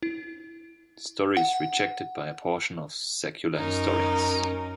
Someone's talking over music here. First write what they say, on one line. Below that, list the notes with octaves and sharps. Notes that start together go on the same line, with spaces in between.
The story is rejected by a portion of secular historians.
E4
F#5
F#2 C#4 D#4 A#4